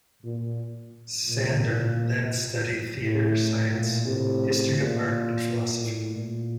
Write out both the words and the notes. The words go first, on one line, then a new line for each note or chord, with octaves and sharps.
Sander then studied theatre science, history of art and philosophy.
A#2
A#2
A2
A#2
A2 C3
A#2
A2
A#2